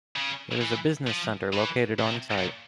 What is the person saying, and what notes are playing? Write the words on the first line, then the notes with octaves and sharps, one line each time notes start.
There is a business center located on site.
C#3
E3
F3
E3
C3
A#2